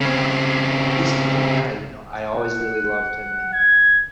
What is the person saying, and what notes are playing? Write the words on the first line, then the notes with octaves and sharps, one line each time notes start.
he he's a great guy, you know, I always really loved him in, uh,
C#3 C4
F#5
G#6